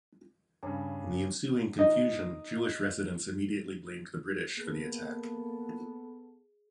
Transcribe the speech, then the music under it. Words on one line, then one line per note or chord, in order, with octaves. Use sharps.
In the ensuing confusion, Jewish residents immediately blamed the British for the attack.
G2 C#3 C#4
D#4
A#3 B3 G#4 A4